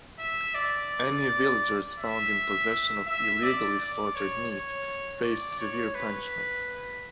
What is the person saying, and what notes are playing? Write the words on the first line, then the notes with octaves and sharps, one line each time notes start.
Any villagers found in possession of illegally slaughtered meat faced severe punishment.
E5
D5
E5
E5
D5
D5
C#5
C#5
D5
C#5
B4